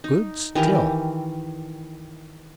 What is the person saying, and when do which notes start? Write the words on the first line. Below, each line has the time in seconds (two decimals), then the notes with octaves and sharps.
Good, still.
0.04 D#4
0.55 D#3 E3 G4 A#4